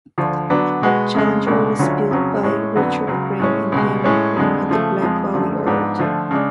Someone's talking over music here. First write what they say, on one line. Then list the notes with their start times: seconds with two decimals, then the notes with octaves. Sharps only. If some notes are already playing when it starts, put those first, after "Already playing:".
Challenger was built by Richard Green and Henry Green at the Blackwell Yard.
0.18 D2 D3 F3
0.50 D3 F#3 B3 D4
0.82 B2 G#3 B3 F#4
1.14 F2 C#3 G#3
1.46 C#2 B2 G#3 D4
1.79 D2 D3 F#3 C#4 F4
2.11 F2 C#3 F#3 C#4
2.43 A2 G#3 C#4
2.76 F2 D3 F#3 B3
3.07 C#2 C#3 F#3
3.40 A2 G#3 C#4
3.72 C#2 B2 G#3
4.04 A2 G#3 C#4
4.36 F2 D3 G#3
4.69 C#3 F3 A3
5.02 F2 F3 G#3
5.34 F#2 D3 F3 A3 F4
5.66 G#2 F3 B3 D4
5.99 D3 F3 A3 F4
6.31 C#3 G#3 D4